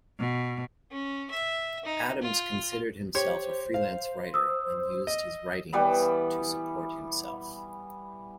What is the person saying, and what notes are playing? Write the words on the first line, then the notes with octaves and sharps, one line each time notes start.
Adams considered himself a freelance writer and used his writings to support himself.
B2
C#4
E5
D#4
F4
G4 C5 C#5
F5
D#6 E6
D#5
E3 G3 B3 B5